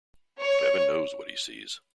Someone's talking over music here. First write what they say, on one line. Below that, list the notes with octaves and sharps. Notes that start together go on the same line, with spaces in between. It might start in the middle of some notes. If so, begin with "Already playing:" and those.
Heaven knows what he sees.
C#5